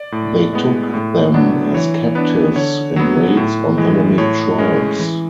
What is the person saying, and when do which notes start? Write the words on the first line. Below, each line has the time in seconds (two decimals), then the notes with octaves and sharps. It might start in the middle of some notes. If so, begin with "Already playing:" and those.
They took them as captives in raids on enemy tribes.
Already playing: D5
0.12 A2
0.53 G#3 B3
0.94 A2
1.34 F#3 B3 D4
1.74 E3 C#5
2.15 B3 D4 B4
2.56 D3 C#5
2.96 F#3 B3
3.37 A2
3.78 E3 G#3
4.18 A2 C#5
4.58 G#3 C#4
4.99 E3